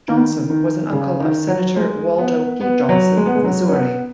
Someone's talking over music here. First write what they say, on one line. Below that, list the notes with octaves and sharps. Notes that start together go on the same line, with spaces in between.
Johnson was an uncle of Senator Waldo P. Johnson of Missouri.
D#3
D#3
C#3
D#3
F#3
G#3
B3
B3
F#3
G#3
B3
G#3
F#3
C#4
B3